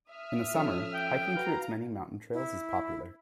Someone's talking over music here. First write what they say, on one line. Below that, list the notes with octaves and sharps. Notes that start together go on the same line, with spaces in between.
In the summer, hiking through its many mountain trails is popular.
E5 D#6 F6
F3 C#4 A4
G5
F#4 B4 F5 A#5 F6
E4